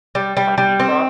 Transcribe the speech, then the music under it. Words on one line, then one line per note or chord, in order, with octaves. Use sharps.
like, beef broth.
G3
G3
G3
C4